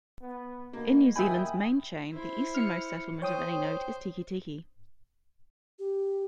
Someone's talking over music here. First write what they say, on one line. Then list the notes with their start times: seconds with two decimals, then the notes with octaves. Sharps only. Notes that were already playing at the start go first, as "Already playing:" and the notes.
In New Zealand's main chain, the easternmost settlement of any note is Tikitiki.
0.21 B3
0.73 B2 A#3
1.16 D#2 E5 G5 G#5 B5 D#6
2.13 E4 C5
2.55 F6 C#7
3.22 C5 C#5 G5 D#6
5.79 G4